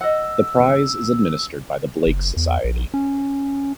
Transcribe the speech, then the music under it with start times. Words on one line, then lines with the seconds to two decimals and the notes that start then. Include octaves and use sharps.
The prize is administered by the Blake Society.
0.01 D#5 F#5 E6
2.07 F#1
2.37 E2
2.64 A#1
2.94 C#4